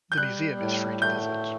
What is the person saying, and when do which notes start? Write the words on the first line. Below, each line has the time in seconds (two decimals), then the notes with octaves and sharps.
The museum is free to visit.
0.12 G6
0.17 G3 F#6
0.59 A2
1.01 A3 G6